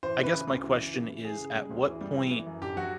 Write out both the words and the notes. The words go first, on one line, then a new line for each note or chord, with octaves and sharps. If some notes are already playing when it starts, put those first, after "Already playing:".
I guess my question is, at what point
E3 C5
E3 B4
C#3
D2
E3
C#3
E3
E3
C#3 G#4
C#3
G3
D2
E3
G3
E3
E3
F#2
D3 G4
F#3 F#4